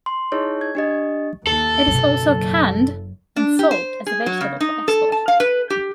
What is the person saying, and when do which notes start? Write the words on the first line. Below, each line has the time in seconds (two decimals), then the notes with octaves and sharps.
It is also canned and sold as a vegetable for export.
0.06 C6
0.32 D#4 E4 G#4 C#5 D#5
0.61 G#6
0.75 D4 G4 D#5
1.47 D#2 A4
1.87 F#1 B2 D#3
3.36 D4
3.59 G4
3.71 C5
4.07 G#4
4.26 F#3
4.41 C#3
4.61 D#4
4.88 A4
5.12 A5
5.28 F5
5.40 B4
5.70 G4